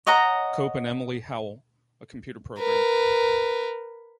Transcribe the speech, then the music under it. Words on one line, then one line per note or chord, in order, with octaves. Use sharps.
Cope and Emily Howell, a computer program.
C#5 D#5 F#5 A#5
A#4 B4